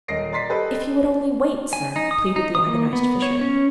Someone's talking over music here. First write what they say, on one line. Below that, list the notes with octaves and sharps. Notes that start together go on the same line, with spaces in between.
"If you would only wait, sir," pleaded the agonized Fisher.
D#1 A#4 D#5 A#6 C7 D7
D5 A#5 C6 A6 B6 C7
G4 A4 B4 C5 D#5
G#5
D#4
D#6
D#4
D#6
A#3
B3
C#5
C#4